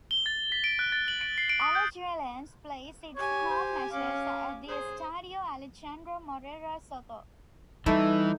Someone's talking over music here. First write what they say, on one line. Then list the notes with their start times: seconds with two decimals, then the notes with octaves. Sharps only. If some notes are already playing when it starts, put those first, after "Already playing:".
Alajuelense plays its home matches at the Estadio Alejandro Morera Soto.
0.11 G7
0.26 A6
0.52 B6
0.64 D7
0.79 F#6
0.92 A6
1.08 F#7
1.21 D7
1.38 C7
1.49 D7
1.62 D#6
1.75 G6
3.16 G4 C#5 G#5
3.51 C5
3.92 C#4 F5 D6
4.68 G#4 C5
7.86 E3 G3 A3 D#4 E4